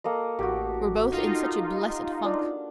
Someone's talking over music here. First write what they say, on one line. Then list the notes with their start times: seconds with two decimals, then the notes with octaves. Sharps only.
We're both in such a blessed funk.
0.04 A#3 A4 D#5
0.39 A1 F#4 G4
1.11 D#4 F4
2.24 D4